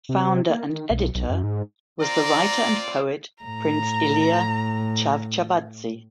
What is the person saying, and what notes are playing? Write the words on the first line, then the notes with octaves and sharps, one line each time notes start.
Founder and editor was the writer and poet Prince Ilia Chavchavadze.
C3
A#3
D#3
B1
B1
F#2
G#2
C4 F4 D5 A#5
A2 A#5